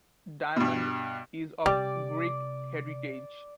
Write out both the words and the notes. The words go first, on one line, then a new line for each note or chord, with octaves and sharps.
Diamond is of Greek heritage.
G2 B2
C3 G3 D5